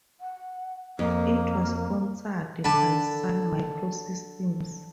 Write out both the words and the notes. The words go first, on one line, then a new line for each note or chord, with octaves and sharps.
It was sponsored by Sun Microsystems.
F#5
F2 A#3
D3 A5 B5